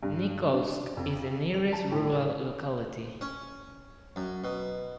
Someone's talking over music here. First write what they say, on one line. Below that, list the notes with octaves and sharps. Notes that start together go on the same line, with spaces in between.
Nikolsk is the nearest rural locality.
G2
D4
F2
F7
A5
A2
C#4
F#2
B2